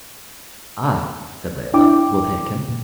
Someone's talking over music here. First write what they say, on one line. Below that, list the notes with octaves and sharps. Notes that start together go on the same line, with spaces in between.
"I," said Layelah, "will take him."
D4 E4 G5 D6
A#2